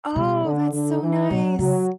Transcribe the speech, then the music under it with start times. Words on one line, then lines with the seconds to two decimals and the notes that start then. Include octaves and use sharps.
Oh, that's so nice.
0.16 B2 G3
0.45 D3
0.73 D3
1.02 E3
1.30 B2 F#3
1.59 C#3 F#3